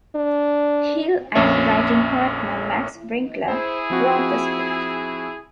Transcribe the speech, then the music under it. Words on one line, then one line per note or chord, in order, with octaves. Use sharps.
Hill and writing partner, Max Winkler, wrote the script.
D4
A#1 F2 A#3 C#4 E5
E4 G#4 C5
F3 C4 F#4